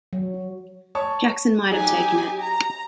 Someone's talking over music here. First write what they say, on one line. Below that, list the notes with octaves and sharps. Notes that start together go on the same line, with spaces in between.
Jackson might have taken it.
F#3
C#5 A5 C#6
F#3 D#4 G4 G#4 G#5
A#5